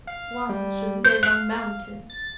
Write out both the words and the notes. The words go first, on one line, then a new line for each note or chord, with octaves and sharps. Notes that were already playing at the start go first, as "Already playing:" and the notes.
One should live on mountains.
F5
G3
C5 G6
F5 F#6
A6